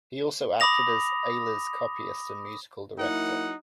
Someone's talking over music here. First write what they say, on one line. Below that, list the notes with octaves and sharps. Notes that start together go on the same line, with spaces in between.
He also acted as Ayler's copyist and musical director.
B5 D6 D#6 A#6 F7
F#3 A#3 D#4 E4 F#5